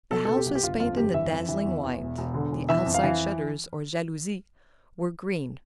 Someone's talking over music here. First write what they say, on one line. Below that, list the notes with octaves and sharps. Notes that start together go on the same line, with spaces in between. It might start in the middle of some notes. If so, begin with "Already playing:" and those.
The house was painted a dazzling white; the outside shutters, or jalousies, were green.
B2 A4
B2 A4
G4
C2
G4
G1 F4
F2 F4
G1 G4
E3 E5
F2
E3
E2
E2
E1
E1
D3
E1
E3 E5
F2
F5
E3